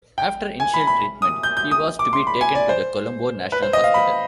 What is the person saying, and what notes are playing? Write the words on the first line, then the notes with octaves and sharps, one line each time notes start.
After initial treatment, he was to be taken to the Colombo National Hospital.
G5
G#5
B5
B5
D#6
G6
G6
D#6
D6
C6
B5
G#5
D5
C5
B4
C5
D#5
F5
B5